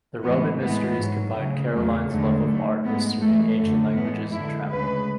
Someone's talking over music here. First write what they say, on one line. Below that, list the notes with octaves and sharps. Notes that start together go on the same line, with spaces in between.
"The Roman Mysteries" combine Caroline's love of art history, ancient languages and travel.
A2 E3 G#3 B3
A2 E3 G#3 B3
G#2 F#3
D2 C#3 F#3
E2 C#3 F#3 A3
E2 D3 G#3 A3
G#2 F#3 A3
G#2 G#3 B3
F#2 E3 G#3 A3
F#2 D3 F#3 A3
A2 E3 G#3 B3
F#2 D3 G#3 E4
D2 C#3 G#3 B4